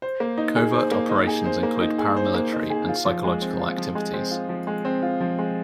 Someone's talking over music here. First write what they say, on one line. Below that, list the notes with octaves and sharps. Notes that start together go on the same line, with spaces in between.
Covert operations include paramilitary and psychological activities.
C5
A#3
D#4
G#4
C5
A#3
D#4
G#4
C5
A#3
D#4
G#4
C5
A#3
D#4
G#4
F4
F3
G#3
C4
F4
F3
G#3
C4
F4
F3
G#3
C4
F4
F3
G#3